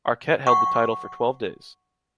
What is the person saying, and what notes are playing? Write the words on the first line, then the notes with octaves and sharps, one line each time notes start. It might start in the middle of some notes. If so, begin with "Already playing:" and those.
Arquette held the title for twelve days.
F#5 C#6